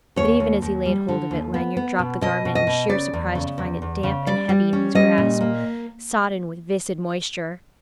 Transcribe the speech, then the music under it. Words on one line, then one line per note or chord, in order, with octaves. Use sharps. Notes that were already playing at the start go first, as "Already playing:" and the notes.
But even as he laid hold of it, Lanyard dropped the garment in sheer surprise to find it damp and heavy in his grasp, sodden with viscid moisture.
D#2 C#5
D#2
D#2
G3
D3
D#2
B3
B3
B2
B2 D#5
B2
D#5
B2
C#3 D5
E2
C#3
E2
E2
C#3
G3 D5
G3
C#4
G3 D#5
A#2
A#3